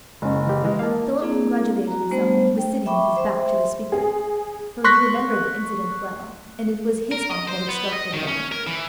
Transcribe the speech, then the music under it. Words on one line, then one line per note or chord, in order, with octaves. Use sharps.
Philip congratulated himself that he was sitting with his back to the speaker, for he remembered the incident well, and it was his arm that had struck the blow.
F#1 G#3 C#4
E3 G4
E3 G#3
A#3 F5 A5
A#3 C4 D4 E4 G#4
F#4 A#5
G3 A3 B3 D4 C5
G5
E5 G5 B5 C#6 D6
C5 E5 C6
G#4
C6 C#6 F#6 A#6 B6
A#4
D#5
C5
B3
D#5
D#3
C#4
A#4
E3